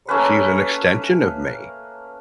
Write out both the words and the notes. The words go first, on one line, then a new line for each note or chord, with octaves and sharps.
she's an extension of me.
A3 A#3 C#4 B4